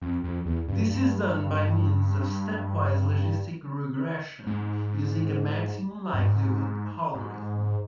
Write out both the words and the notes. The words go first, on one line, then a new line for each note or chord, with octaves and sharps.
This is done by means of stepwise logistic regression, using a maximum likelihood algorithm.
F2
F2
E2
G2
G2
G#2
G2
G#2
G#2